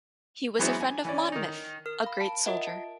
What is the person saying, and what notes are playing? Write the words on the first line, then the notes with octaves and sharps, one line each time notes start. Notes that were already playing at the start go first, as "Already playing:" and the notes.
He was a friend of Monmouth, a great soldier.
E3 F#3 G#3 B3 C4 E4
G#5
E3 C#4 D5
D#3 D#4
A#4 F6
F5 B5
A5 B5
F4 A#4 D#5 E5 F#5
A5